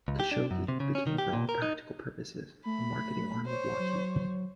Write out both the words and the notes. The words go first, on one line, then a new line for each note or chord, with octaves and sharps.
Khashoggi became for all practical purposes a marketing arm of Lockheed.
C#2
G4
D4
F#2
C3
C#3
C#4
D#3
G4
A#2
A#4
D#4
A3 B5
C5 C#5
F#3